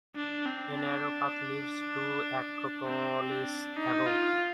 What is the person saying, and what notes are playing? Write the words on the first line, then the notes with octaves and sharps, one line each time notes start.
A narrow path leads to the acropolis above.
D4
C4
D4
C4
D4
D#4
F4